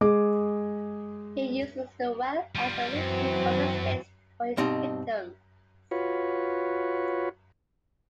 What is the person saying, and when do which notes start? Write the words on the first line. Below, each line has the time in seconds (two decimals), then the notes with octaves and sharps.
He uses the well as a makeshift holding space for his victims.
0.01 G#3 G#4 D6
2.55 G3 F4
2.95 F#2 E3 F#3 C4
4.57 G2 B2 C4 D#4 G4 D#5
5.91 F4 F#4 B4 C#5